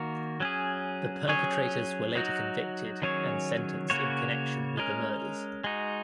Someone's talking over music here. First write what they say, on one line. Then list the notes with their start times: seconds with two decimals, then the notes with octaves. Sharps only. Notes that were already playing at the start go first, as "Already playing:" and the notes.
The perpetrators were later convicted and sentenced in connection with the murders.
Already playing: D#3 A#3 F#4 A#4
0.40 F#3 C#4 G#4
1.28 F#3 C#4 G#4 C#5
2.15 F#3 D#4 F#4
3.02 D#3 F#3 C#4 G#4 C#5
3.90 C#3 A#3 F#4 C#5
4.77 G#3 C#4 A#4
5.64 G#3 D#4 F#4